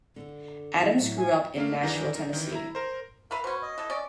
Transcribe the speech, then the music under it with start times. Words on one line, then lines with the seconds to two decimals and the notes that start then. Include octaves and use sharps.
Addams grew up in Nashville, Tennessee.
0.16 D3
0.80 E3
0.97 A2 F#3 E5
1.17 G#5
1.56 A3 A#3 F5
1.83 D#3 E3 D4 D#4 G#4 A#4
2.15 D#4 A#4
2.33 D#3 E3
2.52 E4 A#5
2.75 A#4 C5
3.31 A#4 B4 E5 F5 B5
3.44 B2 C#4 B4 C5
3.62 D#5
3.78 E3 A4
3.90 C#4 D5